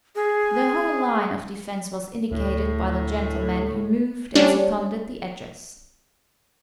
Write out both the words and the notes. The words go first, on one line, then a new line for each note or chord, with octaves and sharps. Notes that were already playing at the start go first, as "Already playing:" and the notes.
The whole line of defence was indicated by the gentlemen who moved and seconded the Address.
G#4
D2 A2
G3 C#4 D4